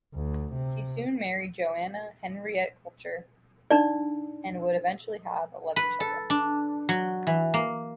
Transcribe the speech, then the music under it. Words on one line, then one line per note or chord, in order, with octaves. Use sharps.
He soon married Johanna Henriette Kuchler and would eventually have eleven children.
D2
C3
D4 D#4 D5
B4
A4
D4
F#3
E3
A#3